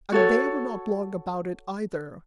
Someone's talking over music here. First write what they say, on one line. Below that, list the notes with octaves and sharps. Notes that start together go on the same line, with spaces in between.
And they were not long about it either.
F#4 A4 C#5